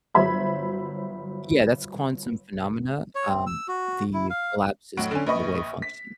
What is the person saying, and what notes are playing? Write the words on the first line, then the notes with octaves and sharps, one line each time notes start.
Yeah, that's quantum phenomena, um, the collapses of the wave function.
G1 F#3 C5 E5 B5 G#6
C#5
C4
E6
F#4
E4
F5
F1 A2 F#3 F#4 D7
D3 C#4
A#1 B4 D#5 C#6
B6